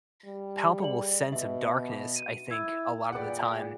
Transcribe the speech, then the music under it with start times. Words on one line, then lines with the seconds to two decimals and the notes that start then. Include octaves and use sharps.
a palpable sense of darkness, I think, a lot of the time
0.26 G3
0.80 G#4 D5 F#7
1.32 B2 E5
2.16 D#7
2.50 E4 E6 G#6
3.12 A#2 G#4 B4 D5 F#5 G5